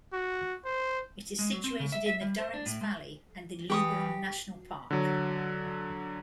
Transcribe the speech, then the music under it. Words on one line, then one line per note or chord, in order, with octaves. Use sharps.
It is situated in the Durance Valley and the Luberon National Park.
F#4
C5
G#3
F#3
C4
C#3
E5
E5
G3
C5
D4
A2
G#3
E3 G4 C#6 D#6
D3 F#3